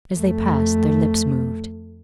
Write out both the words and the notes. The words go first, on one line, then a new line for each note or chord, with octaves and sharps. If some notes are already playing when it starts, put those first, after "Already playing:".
As they passed their lips moved.
F2 A3